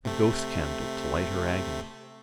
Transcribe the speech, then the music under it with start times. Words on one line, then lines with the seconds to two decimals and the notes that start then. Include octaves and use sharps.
The ghostcandle to light her agony.
0.05 C3 A3